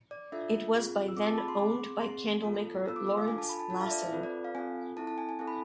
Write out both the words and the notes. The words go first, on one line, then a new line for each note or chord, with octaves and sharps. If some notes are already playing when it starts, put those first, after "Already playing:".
It was by then owned by candlemaker Lorentz Lassen.
D5
D4 F4 A4 E5
C4 F4 G#4
E6
C4 F4 G#4 D6
A5
B5
C6
C4 G#4 D6
C4 G#4 C6
B3 F4 A4
B3 F4 A4 E6
D6
D6
F5
D4 F4 A4 G#5
A5
B5
A5
D4 F4 A4 A5
F5
E5
D5
C5
C4 F4 A4 B4
D5
F5
C4 F4 A4 G#5
C4 E4 A4 A5
A5
G#5
G#5
C4 E4 A4 A5
B5